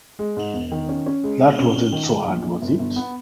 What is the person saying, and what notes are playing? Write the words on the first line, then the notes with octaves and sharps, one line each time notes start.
That wasn't so hard, was it?
G#3
G#2
E1
D#3
C#4
C#4
G#3
B3
C#4
C#4
D#3
G#3
A#1
A#1
G1
G1
B3